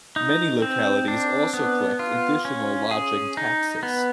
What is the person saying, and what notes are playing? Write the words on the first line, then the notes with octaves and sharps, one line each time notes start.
Many localities also collect additional lodging taxes.
D#4
C4
D4
B3
F4
C#4
G#4
D#4
B3